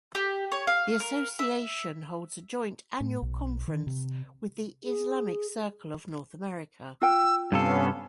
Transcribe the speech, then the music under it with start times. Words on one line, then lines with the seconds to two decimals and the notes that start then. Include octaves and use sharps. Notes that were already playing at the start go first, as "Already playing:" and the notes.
The association holds a joint annual conference with the Islamic Circle of North America.
0.15 G4
0.52 C#5
0.67 F5
1.00 A#4
1.39 E5
3.00 A2
3.22 B1
3.68 D#3
3.87 C3
4.85 G#4
7.02 F4 G5 E6
7.52 G2 C3 B3 C#4 A4 F5